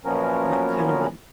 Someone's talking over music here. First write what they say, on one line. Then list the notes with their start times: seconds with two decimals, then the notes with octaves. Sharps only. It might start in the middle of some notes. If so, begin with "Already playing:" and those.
Matt Canavan.
0.05 F#2 A#2 F3 B3 C#4 A#4